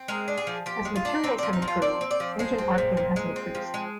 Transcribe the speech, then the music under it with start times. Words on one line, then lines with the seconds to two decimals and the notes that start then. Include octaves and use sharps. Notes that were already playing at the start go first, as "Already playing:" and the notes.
As materials have improved, engine rpm has increased.
Already playing: C4
0.08 G#3 A#4
0.28 D4
0.38 G#4
0.47 F3
0.66 F3 G4
0.85 G#3
0.96 F4
1.05 D4
1.24 C4 D#4
1.38 F3 D4
1.53 D#4
1.62 F3
1.68 F4
1.82 C4 D5
2.01 C4
2.11 D5
2.20 F3
2.39 G#3 C5
2.58 C4
2.78 A#2
2.97 A#2
3.16 G#3
3.36 C4
3.55 F3
3.74 G#3